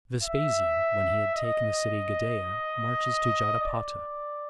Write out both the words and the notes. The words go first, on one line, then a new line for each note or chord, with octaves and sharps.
Vespasian, When He Had Taken The City Gadaea Marches To Jotapata.
E5
D#5
D5